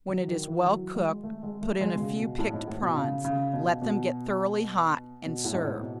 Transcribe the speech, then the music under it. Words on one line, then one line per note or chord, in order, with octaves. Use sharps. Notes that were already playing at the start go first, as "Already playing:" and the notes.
When it is well cooked, put in a few picked prawns; let them get thoroughly hot, and serve.
F#3
D#3
E3
F#3
G#3
A3
G#3
A3
G#3
B2
C#3
B2
A2
G#2
A2
B2
C#3
C#3
B2
B2
B2
A2
G#2
A2
B2